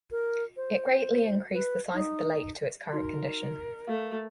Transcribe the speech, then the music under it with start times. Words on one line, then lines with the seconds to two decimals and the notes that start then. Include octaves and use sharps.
It greatly increased the size of the lake to its current condition.
0.11 A#4
0.57 C5
1.54 B4
1.94 D#4
2.92 D#4 F#4 A#4 C6
3.87 A3 F5